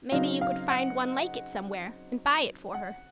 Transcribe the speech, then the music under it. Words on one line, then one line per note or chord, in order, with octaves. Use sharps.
"Maybe you could find one like it somewhere and buy it for her."
C#3 F#3 C4 D#4 F5
F5
F#5
F#5